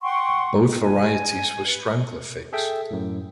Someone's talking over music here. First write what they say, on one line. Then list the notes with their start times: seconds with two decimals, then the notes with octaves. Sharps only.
Both varieties were strangler figs.
0.01 F#5 G5 C6 C#6
0.81 G#5
1.66 B4
2.53 G#4 A4 E5 G5
2.91 F#2 A2